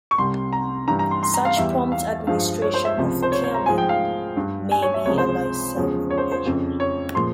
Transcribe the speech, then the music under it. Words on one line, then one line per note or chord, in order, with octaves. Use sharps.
Such prompt administration of thiamine may be a life-saving measure.
C#6
C2 C3 G3 C6
A#5
G2 E3 G3 A#5
A#5
C6
C6
A#5
F5
E2 E3 G3 E5
F5
G2 F3 G#3 F5
C#5
C5
E5
C#2 C3 F3
C5
C#5
C#5
A#5
G#2 F3 G#3 G#5
G5
F5
G2 G3
G#5
C#5
E5
C#2 C3 F3 G#3 C#5
C5
E2 C#3 F3 G#3
C#5
C5
C5
F2 C#3 F3
C#5
A#2 F3 G#3 C6